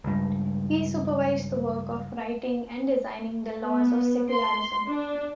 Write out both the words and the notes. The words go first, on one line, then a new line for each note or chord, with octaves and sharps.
He supervised the work of writing and designing the laws of secularism.
C#2 G2
B3
C6
D4